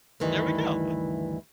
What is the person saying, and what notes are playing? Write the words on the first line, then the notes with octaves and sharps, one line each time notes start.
There we go.
D2 G2 D#3 E3